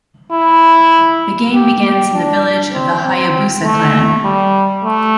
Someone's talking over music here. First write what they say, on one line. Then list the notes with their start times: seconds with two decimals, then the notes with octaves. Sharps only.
The game begins in the village of the Hayabusa clan.
0.32 E4
1.54 G4
1.83 G4
2.13 D4
2.73 C4
3.04 C4
3.63 A3
4.24 G3
4.84 A3